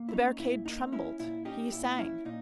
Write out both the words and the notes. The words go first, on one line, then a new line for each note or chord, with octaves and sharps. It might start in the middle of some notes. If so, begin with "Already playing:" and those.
The barricade trembled; he sang.
Already playing: A#3
E4
C#4 D#4
A#2 E4
A#3 D#4
C#4 E4
A#2 E4
C#4 D#4 G4
A#2 E4
C#4 E4
A#2 D#4